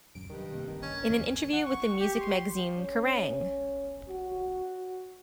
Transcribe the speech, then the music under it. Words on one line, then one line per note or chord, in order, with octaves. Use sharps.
In an interview with the music magazine Kerrang!
D#1 F#2 D7
F1 G2 D#3
C3 A#3
G1 D#3
C#4
A1 E2 A#3
F#5
C#6
G4
C6
C#4
F#4